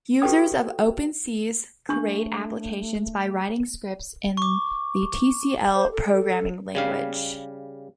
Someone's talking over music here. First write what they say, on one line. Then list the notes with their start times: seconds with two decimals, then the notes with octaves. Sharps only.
Users of OpenSees create applications by writing scripts in the Tcl programming language.
0.22 F#4 G4 A4 B4 G5 D#6
1.89 A3 D4 C#6
4.37 C#6 D6
5.76 C5
5.92 A4
6.13 A4
6.75 C#3 G3 F5